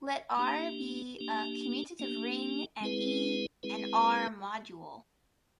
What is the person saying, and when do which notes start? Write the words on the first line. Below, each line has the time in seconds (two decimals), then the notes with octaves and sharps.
Let "R" be a commutative ring and "E" an "R"-module.
0.37 A#3 D4 G4
1.19 A#3 D4 G4
1.99 A#3 D4 G4
2.81 G#3 C4 E4 G#4 B4
3.63 G#3 C4 E4 G#4 B4